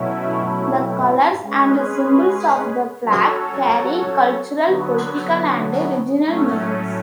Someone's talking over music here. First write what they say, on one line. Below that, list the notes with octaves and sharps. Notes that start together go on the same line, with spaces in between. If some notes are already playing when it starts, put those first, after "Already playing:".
The colours and symbols of the flag carry cultural, political, and regional meanings.
Already playing: B2 F#3 A3 C#4 E4
G#3 C#4 G#4 B4
F#3 C#4 F#4 A4 C#5
D3 F#3 B3
A2 F#3 A3 C#4